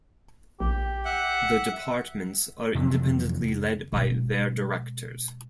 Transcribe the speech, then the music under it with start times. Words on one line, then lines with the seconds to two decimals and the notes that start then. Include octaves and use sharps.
The departments are independently led by their Directors.
0.60 A#1 G4
1.05 E5 F#5
2.75 F2 C3 E3 F#3
3.93 B2 G#3